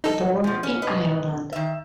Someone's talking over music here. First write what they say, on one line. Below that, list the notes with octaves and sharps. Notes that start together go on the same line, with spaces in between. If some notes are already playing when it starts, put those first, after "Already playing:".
Born in Ireland.
D#4 A4
B2 F3
C#4
B4 D#5
D#3 E5